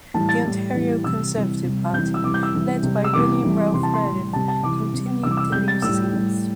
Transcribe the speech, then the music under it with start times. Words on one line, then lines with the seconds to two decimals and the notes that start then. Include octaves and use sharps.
The Ontario Conservative Party, led by William Ralph Meredith, continued to lose seats.
0.14 A2 E3 G3 A5
0.29 A6
0.44 A2 G3
0.75 A2 E3 G3
1.03 C3 E3 G3 E6
1.33 C3 E3 G3
1.64 C3 G3
1.93 C3 E3 G3 G6
2.14 E6
2.23 C3 E3 G3 D6
2.34 G6
2.43 E6
2.54 C3 E3 G3
2.83 C3 G3
3.04 E6
3.13 C3 E3 G3 D6
3.44 C3 E3 G3
3.73 C3 E3 G3 C6
3.83 A5
3.94 C6
4.03 A2 G3
4.33 C3 G3 A5
4.48 A5
4.62 C3 E3 G3 D6
4.94 C3 G3
5.23 C3 E3 G3 E6
5.31 D6
5.37 E6
5.52 C3 G3 G6
5.68 A6
5.82 A2 G3 E6
6.12 A2 G3